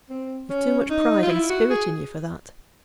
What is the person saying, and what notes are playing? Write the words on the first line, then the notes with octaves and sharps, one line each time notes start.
You've too much pride and spirit in you for that.
C4
C#4
D#4
F4
E4
F#4
G#4